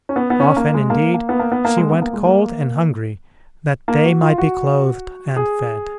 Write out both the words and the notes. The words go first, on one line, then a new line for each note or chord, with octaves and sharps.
Often, indeed, she went cold and hungry that they might be clothed and fed.
C#4
B3
B3
C#4
A#3
G#3
A#3
A#3
B3
A#3
B3
A#3
G#3
B3
A#3
G#3
A#3
A#3
F#4
F4
F#4
G#4